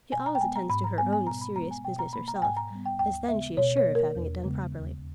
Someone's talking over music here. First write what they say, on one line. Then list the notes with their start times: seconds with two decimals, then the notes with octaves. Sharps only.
She always attends to her own serious business herself, as then she is sure of having it done properly.
0.12 B2 G#5
0.26 A#5
0.35 G5
0.40 G#3 B3 G#5
0.56 A#5
0.70 G#2 B5
0.84 A#5
0.98 G3 B3 G#5
1.13 G#5
1.27 B2 A#5
1.41 B5
1.56 G#3 B3 A#5
1.71 G#5
1.85 B2 G5
1.99 A#5
2.13 A#3 B5
2.28 A#5
2.36 G5
2.42 G#2 G#5
2.57 A#5
2.70 G3 B3
2.86 G5
2.99 D#2 G5
3.28 C#3 G#3 B3 E5
3.57 B2 C#5
3.77 C#5
3.86 A#3
3.95 A#4
4.15 E2
4.43 C#3 G#3 B3
4.73 D#2